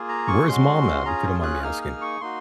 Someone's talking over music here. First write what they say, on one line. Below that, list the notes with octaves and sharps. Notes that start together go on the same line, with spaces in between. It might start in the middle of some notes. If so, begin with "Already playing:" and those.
Where's mom at? If you don't mind me asking.
Already playing: A#3 F4 G#4
A#5
C#6
G#3 C#4 F#4 C6
C#4 F4 G#4 A#5
F#6
A#3 D#4 G#4 F6
F6
C#6
A#3 D#4 F#4 C6